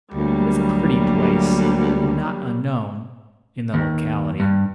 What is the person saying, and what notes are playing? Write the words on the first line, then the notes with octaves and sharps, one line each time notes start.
It is a pretty place, and not unknown--in the locality.
D2 F#3 G3 A#3
D#2
G2